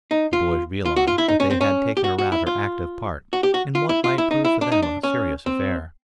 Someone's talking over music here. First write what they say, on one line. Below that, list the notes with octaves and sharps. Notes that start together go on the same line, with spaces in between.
The boys realized that they had taken a rather active part in what might prove for them a serious affair.
D#4
F4
F4
F#4
F4
E4
D#4
C#4
C4
C#4
G4
F#4
F#4
E4
F4
F#4
G4
F#4
F4
E4
F4
E4
D#4
E4
D4
D#4
D4
C#4
C4